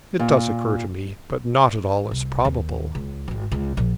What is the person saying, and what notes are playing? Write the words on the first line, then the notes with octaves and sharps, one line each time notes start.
"It does occur to me; but not at all as probable."
A#2
C2
D#2
C#2
D#1 G#1
C#2
A#1